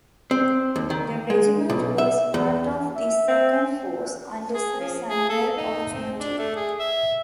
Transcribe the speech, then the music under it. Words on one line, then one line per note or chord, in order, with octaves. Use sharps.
The regiment was part of this second force, under Sir Samuel Auchmuty.
C4
D#2
D#3
G#3
B1
E5
E2
E5
C4
G#4
F3
G#4
A4
D#4
C4
D4
A3
G#4
E5